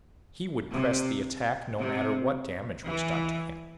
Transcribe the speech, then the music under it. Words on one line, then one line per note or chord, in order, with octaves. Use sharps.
He would press the attack no matter what damage was done to him.
C3
C3
E3